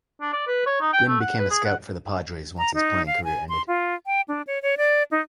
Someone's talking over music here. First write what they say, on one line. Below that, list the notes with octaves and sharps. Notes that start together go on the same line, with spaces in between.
Gwynn became a scout for the Padres once his playing career ended.
D4
D5
B4
C#5
D#4
G5
A3
F#5
B4
G#4
F#5
A#5
D#4
F5
G#5
C6
F4
G5
D4
C#5
C#5
D5
D#4